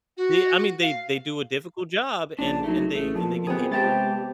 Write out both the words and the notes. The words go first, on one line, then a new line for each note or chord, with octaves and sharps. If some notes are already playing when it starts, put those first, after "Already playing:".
they I mean, they they do a difficult job and and they and they get paid a lot.
F#4
F5
A#1 D4 D5 A5
F#3 A3 D#4
A1 A3 G#4
F2 A#2 F3 A5
B3 C4 G4 G#4
C3 G#3 G4 C#5 G5 A5 A6